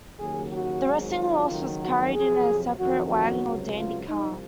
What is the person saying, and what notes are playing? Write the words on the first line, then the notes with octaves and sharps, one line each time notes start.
The resting horse was carried in a separate wagon or 'dandy car'.
D#2 C#3 F#3 G#4
F#4
G#1 G#2 F#3
F4
F#1 F2 D#3 F#3
F#4
F2 C3 F#3 G#4
F#1 F2 D#3 F#3 F#4
F#4
C#2 C3 F#3
F4
C2 C3 F3 D#4